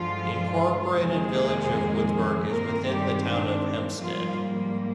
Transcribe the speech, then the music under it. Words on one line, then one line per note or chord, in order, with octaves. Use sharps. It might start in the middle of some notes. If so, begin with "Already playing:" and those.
The Incorporated Village of Woodsburgh is within the Town of Hempstead.
Already playing: G2 D3 F3 G#3 F4
F2 C3 D#3 G#3 A#3 G#4
G2 D#3 G#3 A#3 C4 A#4
G3 G4
D4
G#2 F3 G3 A#3 F4